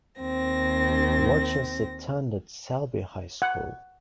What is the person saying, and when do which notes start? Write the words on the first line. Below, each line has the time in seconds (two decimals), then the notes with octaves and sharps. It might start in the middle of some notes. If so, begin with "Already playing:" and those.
Warchus attended Selby High School.
0.20 D#2 C4 A#6
3.42 F#5